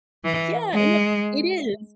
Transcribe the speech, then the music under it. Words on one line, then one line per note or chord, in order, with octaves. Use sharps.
Yeah, and o it is.
E3
G#3